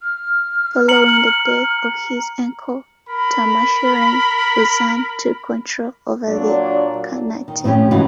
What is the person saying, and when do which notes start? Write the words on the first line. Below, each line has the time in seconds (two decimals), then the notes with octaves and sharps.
Following the death of his uncle Tarmashirin, Buzan took control of the khanate.
0.01 F6
0.88 A#5 C#7 F#7
3.09 A#4 B5
6.27 A#2 F#3 D4
7.48 D#3
7.64 A2 F3 C4 C#4 G4
7.91 G#2 C#3 E3 D#4 F#4